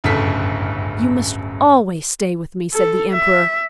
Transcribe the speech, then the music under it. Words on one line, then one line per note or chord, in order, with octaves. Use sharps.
"You must always stay with me," said the Emperor.
D1 G1 F#2 C#3 A4 B6
A4
E5